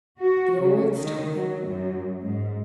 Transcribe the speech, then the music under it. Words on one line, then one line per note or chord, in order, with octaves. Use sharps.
The old story.
F#4
C#3
D#3
F#3
F#2
G#2